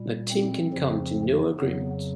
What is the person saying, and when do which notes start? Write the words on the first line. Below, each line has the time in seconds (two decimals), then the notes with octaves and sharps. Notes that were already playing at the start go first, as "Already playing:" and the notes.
The team can come to no agreement.
Already playing: A#2 G3
0.31 C4
0.73 F2 C#3 F3
1.60 F2 C#3 F#3 B3